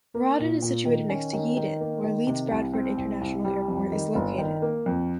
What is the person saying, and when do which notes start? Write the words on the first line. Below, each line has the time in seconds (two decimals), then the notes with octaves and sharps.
Rawdon is situated next to Yeadon, where Leeds Bradford International Airport is located.
0.15 A#3
0.39 A#2
0.62 A#2
0.85 D#3
1.09 C#4
1.33 D#3
1.57 D#3
1.81 A#3
2.04 D#3
2.27 C3
2.51 C2
2.73 C4
2.97 C2
3.21 C2
3.45 G3
3.68 F2
3.92 D#3
4.15 G1
4.38 D#3
4.62 A#3
4.86 F2